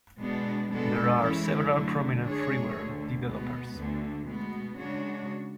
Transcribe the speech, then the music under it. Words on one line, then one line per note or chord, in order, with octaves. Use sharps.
There are several prominent freeware developers.
B2 G#3 B3 D4
B2 G#3 B3 D4 A4
E3 G#3 C#4 E4
D3 F#3 A3
G#3 D4 G#4 C#5
D2 D3 A3
B2 G#3 B3
D2 D3 A3
B2 G#3 B3
C#3 G#3 D4 F#4 C#5